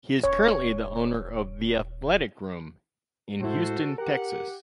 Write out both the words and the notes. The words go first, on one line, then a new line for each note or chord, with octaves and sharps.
He currently is the owner of The Athletic Room in Houston, Texas.
D#1 C#5
A2 G#3 E4 F#4 A4 C5
G4 A#4 F#5